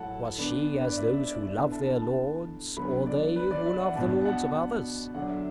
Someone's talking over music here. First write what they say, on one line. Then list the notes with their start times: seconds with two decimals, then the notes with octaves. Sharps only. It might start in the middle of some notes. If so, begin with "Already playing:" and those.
Was she as those who love their lords, or they Who love the lords of others?
Already playing: A2 F#3 A3 E4 F#5 A5
0.38 D3 B3 D4
0.81 B4
0.89 D5
0.97 E5
1.13 E5
1.27 D5
1.43 D5
1.57 D3 B3 E4 E5
1.72 A5
1.87 A5
2.02 A5
2.77 D3 F#3 B3 B5
3.06 D5
3.36 B4
3.51 D5
3.66 E5
3.81 F#5
3.95 B2 B3 D4 A5
4.21 A5
4.25 F#5
5.15 D3 F#3 D4 F#5
5.30 E5